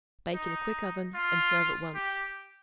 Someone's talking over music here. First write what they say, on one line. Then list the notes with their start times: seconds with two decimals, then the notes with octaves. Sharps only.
Bake in a quick oven and serve at once.
0.34 D#4
1.15 F4
1.94 G4